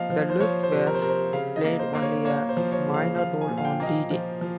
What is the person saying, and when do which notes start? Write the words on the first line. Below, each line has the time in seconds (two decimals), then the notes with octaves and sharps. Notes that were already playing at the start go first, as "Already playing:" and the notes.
The "Luftwaffe" played only a minor role on D-Day.
Already playing: F3 A#3 D#5 F5
0.10 F3
0.30 C5
0.40 F3 C#5
0.63 C5
0.72 C3
0.87 A#4
0.95 C5
1.02 C3 A#4
1.09 C5
1.32 C#3 F5
1.56 D#5
1.64 A#3
1.79 C5
1.95 A#3
2.02 C#5
2.25 A#3 C#5
2.49 C5
2.57 F3
2.72 C#5
2.87 C#3
2.94 F5
3.18 F3 F5
3.41 G#5
3.49 A#2
3.58 F5
3.65 G5
3.80 A#3 D#5
3.87 F5
4.11 F3
4.41 F3